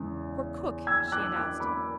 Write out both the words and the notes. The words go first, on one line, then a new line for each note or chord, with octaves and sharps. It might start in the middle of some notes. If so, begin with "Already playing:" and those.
"For cook," she announced.
Already playing: E2 C#3 G#3
E6 G#6
D6 F#6
D6 F#6
B5 D6